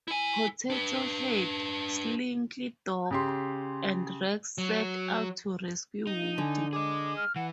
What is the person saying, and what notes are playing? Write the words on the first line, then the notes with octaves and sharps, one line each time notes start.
Potato Head, Slinky Dog, and Rex set out to rescue Woody.
E4 G#5
D4 B4
C#3 G4 C6
F#3
D#4
D3 G#5
G#4 D#5 D6
F6
E3 F#5